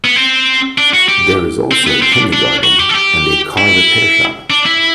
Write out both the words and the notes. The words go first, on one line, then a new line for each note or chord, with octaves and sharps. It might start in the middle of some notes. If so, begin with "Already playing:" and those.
There is also a Kindergarten and a car repair shop.
B3
C4
D4
F#4
G4
C4
B3
C4
D4
D4
F#4
G4
A4
G4
E4
D4
E4